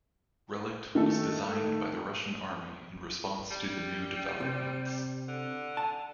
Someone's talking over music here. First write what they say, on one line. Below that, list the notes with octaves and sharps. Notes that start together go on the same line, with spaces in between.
Relikt was designed by the Russian army in response to the new developments.
D#3 A3 A4
G3
C3
D3
A5